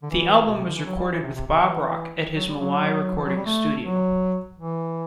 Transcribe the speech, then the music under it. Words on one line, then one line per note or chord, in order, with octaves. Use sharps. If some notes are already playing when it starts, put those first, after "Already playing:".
The album was recorded with Bob Rock at his Maui recording studio.
D3
E3
B2
C3
D3
E3
F#3
G3
E3
C3
C3
C3
E3
F#3
G3
F#3
E3
F#3
G3
A3
F#3
E3